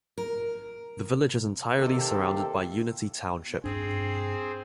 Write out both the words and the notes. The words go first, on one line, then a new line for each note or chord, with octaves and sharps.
The village is entirely surrounded by Unity Township.
A#4
C3 D#3 A#3 C4 G4 A4
G2 C4 D4 G#4